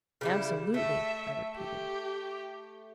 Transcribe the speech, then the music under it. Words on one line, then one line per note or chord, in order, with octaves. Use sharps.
"Absolutely!" I repeated.
C#3 G3 E4
A3 E5
G4